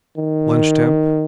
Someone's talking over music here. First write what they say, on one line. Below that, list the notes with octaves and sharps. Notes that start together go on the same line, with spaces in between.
Lunch Temp.
D#3